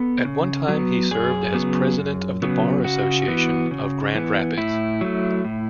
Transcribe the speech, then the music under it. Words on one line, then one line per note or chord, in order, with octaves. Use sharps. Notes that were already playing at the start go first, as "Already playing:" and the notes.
At one time he served as President of the Bar Association of Grand Rapids.
Already playing: B3 A4
C#3
F#3 B3
F#2 G#4
C#3 F#3 B3
F#2
C#3 F#3 B3
C#3 F#4
E3 B3
C#3
E3 B3
A2 E4
F#3 A3
A2